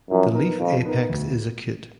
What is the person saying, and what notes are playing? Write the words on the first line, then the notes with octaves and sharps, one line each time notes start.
The leaf apex is acute.
F#2 F3
B3 D#4 A#4
F2 F3
B3 D#4 A#4
D2